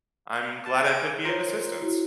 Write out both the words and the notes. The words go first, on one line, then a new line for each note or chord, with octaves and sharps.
I'm glad I could be of assistance.
A5
G#4 G#6 D7
F4 A#4 C5 C#5
E4 F#4